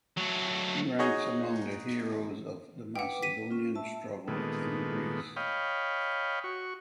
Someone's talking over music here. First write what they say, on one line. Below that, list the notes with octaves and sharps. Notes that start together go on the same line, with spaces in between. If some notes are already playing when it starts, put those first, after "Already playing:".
He ranks among the heroes of the Macedonian Struggle in Greece.
F#3 A3
D#4 F#4 G#4 C#5 D#5
B4 F#5 G5 D6
B6 D#7
C#4 F4
E5 A5 E6
A#2 D#3 G#3 A3 B3
C#5 D#5 F5 G5 B5
F#4 C#6